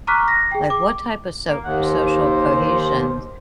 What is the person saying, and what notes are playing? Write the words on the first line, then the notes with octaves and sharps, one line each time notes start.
Like, what type of so social cohesions
A#5 C#6 D6 F6 F#6 B6
A#6
G#4 G5
D6
A#3
D#2 F#5
C5